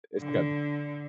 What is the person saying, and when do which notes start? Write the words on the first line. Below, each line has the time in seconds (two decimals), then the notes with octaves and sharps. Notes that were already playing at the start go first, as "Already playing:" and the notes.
it's, like, a
0.18 D3